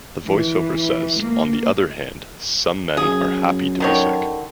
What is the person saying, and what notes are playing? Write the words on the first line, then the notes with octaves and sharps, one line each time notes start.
The voiceover says: On the other hand, some men are happy to be sick.
E3
A#3
F#2 G#4
D3 D#3 C#5